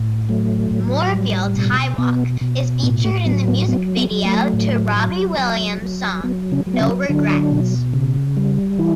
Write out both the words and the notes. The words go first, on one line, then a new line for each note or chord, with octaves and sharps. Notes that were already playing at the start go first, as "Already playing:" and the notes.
Moorfields Highwalk is featured in the music video to Robbie Williams' song "No Regrets".
Already playing: A2
F#3 A3
A2
G3
B2
B2 B3
B2
A2 B3
A3
F#3 B3
B3
F#3 B3
B3
F#3
A3
A2
F#3
F#3
F#3
F#3 B3
C#3 C#4
F#3
B3
C#3 C#4
D3 F#3 D4
B2
C#3
G3
E3 E4